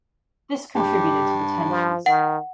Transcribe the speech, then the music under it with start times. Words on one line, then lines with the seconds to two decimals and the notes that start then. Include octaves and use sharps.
This contributed to the tensions.
0.76 G2 G4
1.69 F3
2.06 D#3 F#5